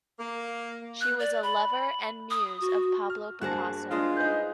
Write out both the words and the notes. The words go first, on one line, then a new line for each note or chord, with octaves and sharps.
She was a lover and muse of Pablo Picasso.
A#3
F#6
D5
B5
D#6
F#4
F6
G2 A#3 F#4 G#4 C5 A5 F#6 A#6
G#3 D4 F4 C5
D#4 G#4 B4 G6